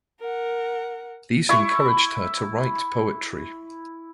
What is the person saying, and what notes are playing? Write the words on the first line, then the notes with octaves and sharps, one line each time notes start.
These encouraged her to write poetry.
A#4 F#5
E4 C#6